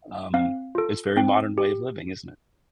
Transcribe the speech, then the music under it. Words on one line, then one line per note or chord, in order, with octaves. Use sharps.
Um, it's very modern way of living, isn't it?
C4 F5
F4 A4
C4 G5
G4